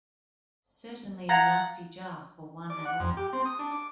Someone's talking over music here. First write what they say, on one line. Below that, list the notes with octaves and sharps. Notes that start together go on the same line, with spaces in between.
Certainly a nasty jar for one and all.
F5 F#5 A#5 G#6 A6
D5
F#5
F2
G4
C4
D#6
D4
D6